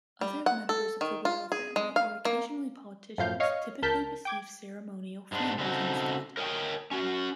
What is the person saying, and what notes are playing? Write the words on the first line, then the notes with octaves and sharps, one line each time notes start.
Other members of the royal family, or occasionally politicians, typically receive ceremonial funerals instead.
G3
F#5
A4
D#3
F4
G#4
G#3
F5
A#3
F#2 A2 F3 F5 G6
C#5 D#5 F5 F6
C#2 A#4 A5 G6 B6
G5 D6 G#6
G#2 G#3 D4
C#3 C4 D#4 F#4 A4
A#4 C#5 D#5 F#5 G5
C#4 F#4